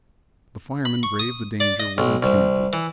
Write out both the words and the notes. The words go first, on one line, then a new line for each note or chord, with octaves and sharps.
The firemen braved the danger with impunity.
B5
C#6
D#6
D5
D#5
B1
C2
E3